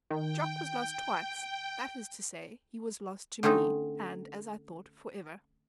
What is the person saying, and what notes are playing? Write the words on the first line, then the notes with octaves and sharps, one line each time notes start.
Jock was lost twice: that is to say, he was lost to me, and, as I thought, for ever.
D#3 G5
D3 A3 C4 C#4 D#4